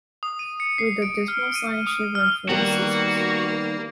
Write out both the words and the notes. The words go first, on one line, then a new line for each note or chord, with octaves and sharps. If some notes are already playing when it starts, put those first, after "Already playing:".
With a dismal sigh she went for the scissors.
D#6
D#7
C#7
C7
D7
F6
D#7
D#6
F6
D#3 G3 A#3 B3 F#4